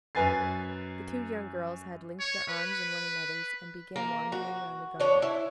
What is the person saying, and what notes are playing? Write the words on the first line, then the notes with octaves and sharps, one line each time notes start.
The two young girls had linked their arms in one another's and began wandering round the garden.
F#2 B4 G#5 A6 C7
C#5
B4
A#3
F#4
D4 C#5
E4